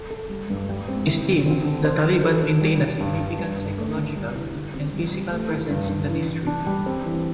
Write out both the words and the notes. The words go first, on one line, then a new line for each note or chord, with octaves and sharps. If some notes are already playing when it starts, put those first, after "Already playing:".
Still, the Taliban maintain a significant psychological and physical presence in the district.
Already playing: A4
A4
G3
G2
G3
C4
E4
D3
C4
D3
C5
C5
A4
D4
G3
G4
G2
D4
G2
G2
A3
D3
G3
E4
D3
C4
G3
G3
A3
E4
G2
G2
E3
E3
D4
G3
C4
E3